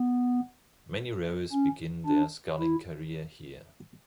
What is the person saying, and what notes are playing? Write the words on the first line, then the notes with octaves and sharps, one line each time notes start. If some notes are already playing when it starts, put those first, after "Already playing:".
Many rowers begin their sculling career here.
Already playing: B3
C#4
D4
E4